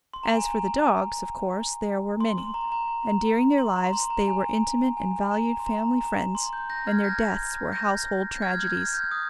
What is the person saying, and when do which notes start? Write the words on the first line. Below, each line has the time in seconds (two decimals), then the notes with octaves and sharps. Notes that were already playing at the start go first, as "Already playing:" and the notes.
As for the dogs, of course there were many, and during their lives they were intimate and valued family friends, and their deaths were household tragedies.
0.14 C6
0.23 A#5
0.33 G#5
0.45 A#5
2.21 C6
2.38 C6
2.54 A#5
2.72 A#5
3.58 C6
3.76 A#5
3.93 C6
4.10 A#5
4.21 A#5
4.27 G#5
4.97 G#5
5.31 A#5
5.59 C6
5.66 A#5
5.82 A#5
6.01 A#5
6.35 C6
6.53 G6
6.70 G6 A#6
6.87 F6 G#6
7.04 G6 A#6
7.73 G6 A#6
8.36 G6
8.42 F6 G#6
8.54 F6
8.59 G6
8.77 F6
8.94 G6
9.11 D#6